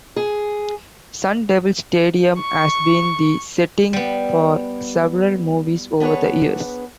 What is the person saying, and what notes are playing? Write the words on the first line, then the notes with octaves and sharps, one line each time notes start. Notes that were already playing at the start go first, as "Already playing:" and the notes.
Sun Devil Stadium has been the setting for several movies over the years.
G#4
C#6
G3 B3
B3 D4 G#4 B4 C#5